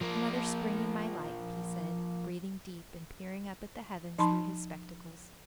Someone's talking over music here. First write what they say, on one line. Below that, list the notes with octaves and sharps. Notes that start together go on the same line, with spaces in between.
"Another spring in my life," he said, breathing deep and peering up at the heavens through his spectacles.
F3 A#3
F3 D#4 A5 B5 C6